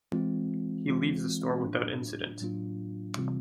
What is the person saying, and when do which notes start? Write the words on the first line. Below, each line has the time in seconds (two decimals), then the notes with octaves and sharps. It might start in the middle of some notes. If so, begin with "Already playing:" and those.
He leaves the store without incident.
0.13 E3 G#3 C4 F4
0.89 E3 G#3 C4 F4
1.65 A2 F#3 A#3 D4 F4
2.41 A2 F#3 A#3 D4 F4
3.17 C3 E3 G3 C4 F4